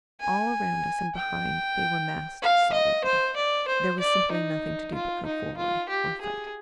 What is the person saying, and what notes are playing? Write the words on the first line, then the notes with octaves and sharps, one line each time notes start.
All around us and behind they were massed solidly--there was simply nothing to do but go forward--or fight.
G#5
G5
F5
D#5
C5
D5
C5
D5
D#4
F4
D#4
F4
G4
G#4